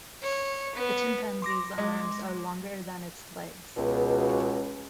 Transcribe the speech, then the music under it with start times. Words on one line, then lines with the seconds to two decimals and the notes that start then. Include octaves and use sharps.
A chimpanzee's arms are longer than its legs.
0.22 C#5
0.75 B3
1.42 C6 D6 A#6
1.78 G#3
3.77 C#2 B2